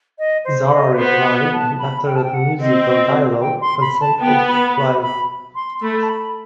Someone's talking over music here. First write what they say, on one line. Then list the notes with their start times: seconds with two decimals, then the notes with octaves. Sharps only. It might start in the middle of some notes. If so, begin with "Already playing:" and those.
Zara replied, and, after a musical dialogue, consented to fly.
0.19 D#5
0.45 C5
0.72 D#5
0.92 B4
0.98 B3 C5
1.26 B4
1.52 A5
1.79 B5
2.06 G5
2.16 A5
2.24 G5
2.34 F#5
2.60 C4 D#5
3.41 G5
3.61 C6
3.81 B5
4.01 A5
4.21 B3 G5
4.48 B5
4.75 B5
5.02 B5
5.55 C6
5.82 A3 B5
6.03 A5
6.09 B5